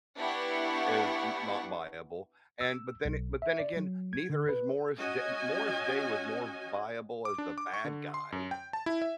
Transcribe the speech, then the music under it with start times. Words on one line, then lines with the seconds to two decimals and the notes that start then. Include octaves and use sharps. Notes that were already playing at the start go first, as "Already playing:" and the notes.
is n not viable, and but then but then again, neither is Morris D Morris Day was more v viable as the bad guy
0.17 B3 D4 E4 G4 F#5 C#6
2.61 E6
3.05 B1
3.42 E5
3.59 D5
3.77 F#3
4.13 G#6
4.30 D3
4.49 B4
4.97 C#4 F#4 D#5 G#5
7.25 D6
7.38 D4
7.58 D6
7.74 C#6
7.85 D3
8.14 C6
8.32 F#2
8.51 G5
8.73 A5
8.86 E4
9.02 E5